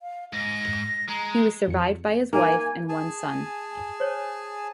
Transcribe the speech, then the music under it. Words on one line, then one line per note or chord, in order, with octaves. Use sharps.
He was survived by his wife and one son.
F5
G#2 A#6
G#3 A#5
F2 F3 C#7
A#3 D#4 E5 F5 G#5
G#4 G#5 A5
C5 C#5